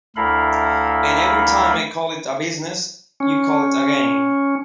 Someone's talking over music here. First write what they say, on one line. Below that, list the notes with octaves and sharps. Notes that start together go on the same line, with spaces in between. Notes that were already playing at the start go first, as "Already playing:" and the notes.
And every time I call it a business, you call it a game.
D2 E4 A4 A#4 F5 B5
C#4